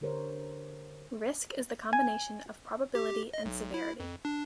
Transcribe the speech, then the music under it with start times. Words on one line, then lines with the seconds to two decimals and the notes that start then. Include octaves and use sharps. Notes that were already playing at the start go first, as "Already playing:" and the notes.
Risk is the combination of probability and severity.
0.01 D3 G4 A#4 C5 C#5
1.93 G#5
2.95 G4
3.34 D#5
3.45 B1
3.74 E4
4.00 F2
4.25 D4